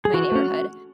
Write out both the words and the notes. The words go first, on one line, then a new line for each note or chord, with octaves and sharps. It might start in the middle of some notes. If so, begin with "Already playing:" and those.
my neighborhood,
G#4
E3 F#4
A3 C#4